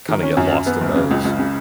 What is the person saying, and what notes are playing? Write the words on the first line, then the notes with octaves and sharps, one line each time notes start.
kinda get lost in those.
D#3
C#4
F#2
F#2
B3
F#1
C#3
C#2
C#2
C#3